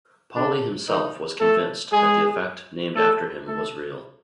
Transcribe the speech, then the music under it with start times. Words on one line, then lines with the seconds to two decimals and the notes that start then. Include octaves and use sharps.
Pauli himself was convinced that the effect named after him was real.
0.35 D3 D4
0.87 D#3 D#4
1.39 A3 A4
1.91 G#3 G#4
2.95 A3 A4
3.47 A3 A4